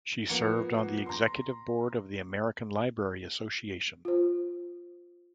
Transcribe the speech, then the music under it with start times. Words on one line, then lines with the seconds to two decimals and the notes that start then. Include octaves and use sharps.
She served on the executive board of the American Library Association.
0.29 F3 A#3 B3 C#7
1.06 A#5 C6
4.05 F4 C5